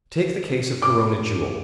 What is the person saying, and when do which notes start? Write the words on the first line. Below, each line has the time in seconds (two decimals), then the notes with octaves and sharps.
Take the case of Corona Jewel.
0.82 D6